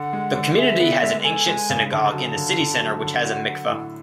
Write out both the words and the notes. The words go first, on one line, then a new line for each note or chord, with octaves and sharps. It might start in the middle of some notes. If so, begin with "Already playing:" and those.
The community has an ancient synagogue in the city center which has a mikveh.
Already playing: D3 F#5
G#3
D3
G#4 E5
B3
G#3
A4 G#5
G#3
C#3
D3 A5
B5
F#3 A5
G#5
A5
D3
D3
F#3
D3
F#4 F#5
F#3
A2